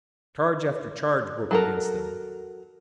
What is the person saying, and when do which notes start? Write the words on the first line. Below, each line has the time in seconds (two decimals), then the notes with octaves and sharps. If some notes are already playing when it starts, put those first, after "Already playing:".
Charge after charge broke against them.
1.51 F#3 A4 A#4